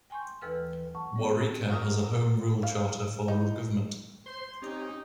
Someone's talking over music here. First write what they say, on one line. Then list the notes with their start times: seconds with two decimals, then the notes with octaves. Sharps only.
Waurika has a home rule charter form of government.
0.10 G5 G#5 C6 C#6 G6
0.41 D#2 E3 A4 B4 E6 F6
0.95 F#5 A5 C#6
1.16 B3 C#5 D5
1.70 F#4 A#4 D#6 F6
2.63 F5
3.28 D#4 E4 D#5 B5
4.26 C5 C6
4.62 C4 C#4 D#4 G4